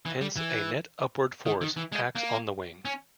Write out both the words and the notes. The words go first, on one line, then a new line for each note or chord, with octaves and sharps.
Hence, a net upward force acts on the wing.
E3
G3
E3
D#3
D#3
E3
G#3
A#3
C#4